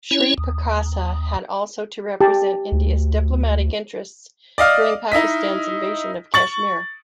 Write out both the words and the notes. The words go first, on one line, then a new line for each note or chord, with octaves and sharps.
Sri Prakasa had also to represent India's diplomatic interests during Pakistan's invasion of Kashmir.
C#4 E4 C#5
D#2
G4 A5
D2
D5 D#5 F5 F6
D#4 E4 D#5 B6
C#6 A6 F#7